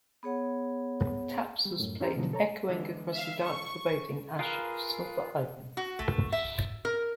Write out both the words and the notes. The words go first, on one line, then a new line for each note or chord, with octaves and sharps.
Taps was played echoing across the dark foreboding ash of "Sulfur Island".
B3 G#4 C#5 F#5
G3
F#2 A2
C#4 E4 G4 C5 A#5
G#2 B2 D3 F3 F#3
A4 C#5 A#5
D3 E3 G#3
E5 F5
C#6
F4 G#4 A#4 B4 F5
F#4
A3
E5
A#4